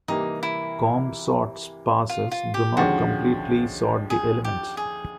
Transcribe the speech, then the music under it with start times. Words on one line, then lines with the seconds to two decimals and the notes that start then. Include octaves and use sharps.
Comb sort's passes do not completely sort the elements.
0.08 C3 E3 G3 A#3 D#4
0.43 E4
2.10 F4
2.32 F4
2.54 G4
2.76 D#2 D3 F3 G#3 C#4 F#4
4.10 G#4
4.44 G4
4.77 G#4